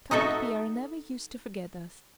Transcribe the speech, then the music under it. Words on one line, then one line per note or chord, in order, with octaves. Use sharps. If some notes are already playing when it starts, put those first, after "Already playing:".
Count Pierre never used to forget us.
D#4 F#4 A4 E5